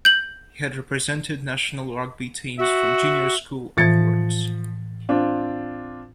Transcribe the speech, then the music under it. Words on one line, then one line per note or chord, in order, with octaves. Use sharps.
He had represented national rugby teams from junior school upwards.
G6 F#7
F#4 E5
A2 E3 F3 G#6 A6 C#7
C4 D4 F4